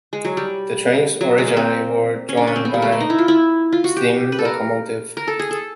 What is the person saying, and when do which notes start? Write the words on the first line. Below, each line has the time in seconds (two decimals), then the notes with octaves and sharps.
The trains originally were drawn by steam locomotives.
0.13 G#3
0.25 F#3
0.37 G3
1.21 F#3
1.38 G#3
1.48 A#3
1.57 C4
2.29 C#4
2.37 D4
2.47 C#4
2.56 C4
2.65 B3
2.74 G3
2.82 A3
2.92 A#3
3.00 D#4
3.10 E4
3.18 F4
3.28 E4
3.72 F4
3.84 F#4
3.96 G4
4.32 B4
4.39 A4
4.45 A#4
5.17 A#4
5.28 A4
5.39 G#4
5.51 A4